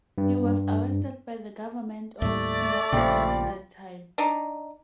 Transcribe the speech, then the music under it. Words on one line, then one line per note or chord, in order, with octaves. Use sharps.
He was arrested by the Government of Bihar during that time.
G2
D#2 A2 G3 A3 D5 E5
A#1 A#2 C#3 F3 G3
D4 D#4